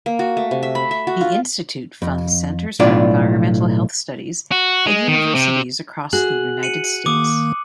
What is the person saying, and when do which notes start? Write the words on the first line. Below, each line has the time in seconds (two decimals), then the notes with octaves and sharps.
The Institute funds centers for environmental health studies at universities across the United States.
0.06 A#3
0.19 F#4
0.37 A3
0.51 C3
0.63 E5
0.75 B5
0.91 E5
1.07 F#4
1.21 F4
2.02 F2
2.80 B1 A2 D4 F4 D5
4.52 F#4
4.87 G#3
5.08 D#3
5.35 C3
6.13 F#4 G#4 F#6 F#7
6.63 C#7 D#7 F#7
7.06 D#3 A#3 D6 D#6